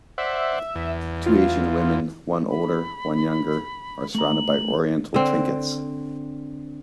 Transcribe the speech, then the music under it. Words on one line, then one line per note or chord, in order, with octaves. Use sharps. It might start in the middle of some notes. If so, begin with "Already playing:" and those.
Two Asian women, one older, one younger, are surrounded by oriental trinkets.
C5 D5 E5 F#5
E2
F4
B5
A3 A#5 F#7
D3 C4